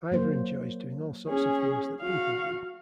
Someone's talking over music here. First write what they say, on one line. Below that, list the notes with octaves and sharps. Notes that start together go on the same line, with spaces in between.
Ivor enjoys doing all sorts of things that people do.
F#3 A#3 C5
C#4 G#4
F#4 F5